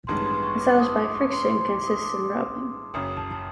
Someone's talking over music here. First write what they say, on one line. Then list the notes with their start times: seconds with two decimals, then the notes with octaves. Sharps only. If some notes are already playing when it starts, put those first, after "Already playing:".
Massage by friction consists in rubbing.
0.07 A1 G2 D#3 G#3 B3 C6
0.26 C6
0.43 C#6
0.61 D6
0.80 D#6
0.97 D6
1.15 C#6
1.32 C6
1.51 C6
1.68 D6
1.87 D#6
2.04 D6
2.94 F#1 F#2 C#3 D#6
3.17 A5
3.32 A5